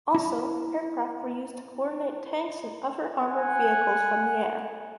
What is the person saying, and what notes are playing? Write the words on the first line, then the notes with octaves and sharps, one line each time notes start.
Also aircraft were used to coordinate tanks and other armored vehicles from the air.
E4 A#5
F#5 G#5